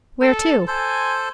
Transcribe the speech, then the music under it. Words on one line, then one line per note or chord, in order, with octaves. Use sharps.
"Where to?"
A4
A4 C5 G#5